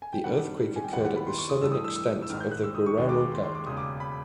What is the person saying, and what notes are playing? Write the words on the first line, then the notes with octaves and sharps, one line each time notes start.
The earthquake occurred at the southern extent of the Guerrero Gap.
G#5
G5
G2 D#3 G3 C4 F#5
G#5
G5
D#2 D#3 G3 B3 E4 F#5
F#5
B5
C6
C#6
D#6
G2 E3 A3 E6
D#6
E6
E6
E6
G#1 G#2 D#3 F6
G6
F#6
E6
D#6
C#6
D#2 D#3 G#3 C#6
D6
D6
C6
C6
D6
E1 D#2 C#3 D#6
D6
B5